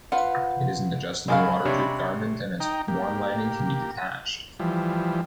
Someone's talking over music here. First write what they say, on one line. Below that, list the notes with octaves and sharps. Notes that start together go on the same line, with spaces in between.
It is an adjustable waterproof garment and its warm lining can be detached.
F4 B4 C5 F#5
F#2 C#3 G#3 A#4 F5 B5
C3 D4 C#5
D#4 G5 A#5
A#3 G4
E3 F3 G3